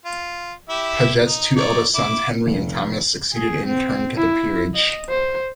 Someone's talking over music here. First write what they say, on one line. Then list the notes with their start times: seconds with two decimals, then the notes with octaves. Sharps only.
Paget's two eldest sons, Henry and Thomas, succeeded in turn to the peerage.
0.06 F4
0.69 E4 G4 E5
1.27 D#4
1.57 D#4 C#5 D5
1.95 E4 D6
2.46 F1
3.33 G#4
3.66 C4
4.17 E4
4.74 D#5
5.09 C5